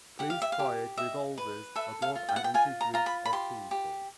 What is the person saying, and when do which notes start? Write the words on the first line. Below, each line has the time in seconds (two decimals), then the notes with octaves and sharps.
Police fired revolvers above and into groups of people.
0.19 G4 F#5
0.30 F5
0.42 E5
0.52 F5
0.59 G4
0.97 D#5 E5
1.38 B4
1.76 A4 E5
2.02 F5
2.15 F4
2.29 G5
2.36 F#5
2.44 G5
2.54 F4 G#5
2.81 A#5
2.94 F4 A#5
3.06 B5
3.25 B5
3.33 G4 C6
3.71 G4